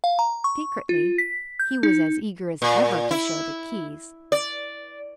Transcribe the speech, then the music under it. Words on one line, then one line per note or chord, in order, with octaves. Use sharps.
Secretly, he was as eager as ever to show the keys.
F5
A#5
C#6
F4
B6
G6
D#4
A#2
E4
D5